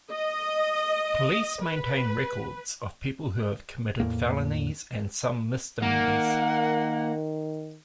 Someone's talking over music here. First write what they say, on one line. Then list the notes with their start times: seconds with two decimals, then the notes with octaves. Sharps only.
Police maintain records of people who have committed felonies and some misdemeanors.
0.11 D#5
1.62 B4
4.00 E2 A2 A#3
5.82 D#3 A#3 F#5